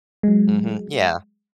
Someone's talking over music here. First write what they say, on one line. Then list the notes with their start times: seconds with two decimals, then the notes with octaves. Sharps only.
Mhm, yeah.
0.23 F#3 G#3